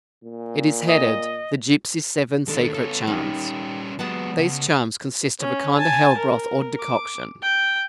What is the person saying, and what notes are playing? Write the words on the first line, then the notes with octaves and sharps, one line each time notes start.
It is headed "The Gypsies' Seven Secret Charms." These charms consist of a kind of hellbroth or decoction.
A#2
D#5
D#2 D4 A4
C#3 B3 A4
D#3 G3 C#4
F#3 G#3 B3 F#5 A5
C#2
C#4
G#5 A5
A#4
D6
G5